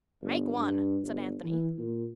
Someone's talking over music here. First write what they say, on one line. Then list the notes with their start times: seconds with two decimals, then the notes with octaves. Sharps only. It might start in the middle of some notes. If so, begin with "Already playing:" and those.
"Make one," said Anthony.
0.22 G1
0.56 G2
1.02 G1
1.44 E3
1.78 A#2